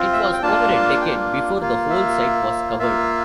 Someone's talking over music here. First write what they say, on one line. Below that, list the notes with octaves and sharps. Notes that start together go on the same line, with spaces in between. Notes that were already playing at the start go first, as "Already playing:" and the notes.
It was over a decade before the whole site was covered.
Already playing: C4 F4
E5
F5
G5
A#3 D4 F4 A5
G5
A#3 F4
E5
A#3 F4 E5